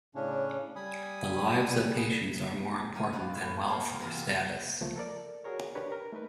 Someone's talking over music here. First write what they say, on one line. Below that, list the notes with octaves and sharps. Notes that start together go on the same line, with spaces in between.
The lives of patients are more important than wealth or status.
A2 C#3 C#4 D4
G3 G#5 B5 D#6
A#4 C#5 G5 G#5 A#5
B2 A#3 F4 B4 D5
A2
C5 C#5 F5 G5 C6
A#4 G5 A#5
E2 C3 F4 A#4 G#5 A#5
C#2 F3 A3 A#3
A4 A#4 D5
F#4 G#4 A#4 C#5
D4 G4 A#4 B4 C#5
A#4
A3 D#4 A#4 B4